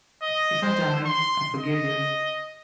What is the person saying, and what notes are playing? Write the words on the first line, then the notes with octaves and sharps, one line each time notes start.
If I die, I forgive you.
D#5
C5
C6
D#5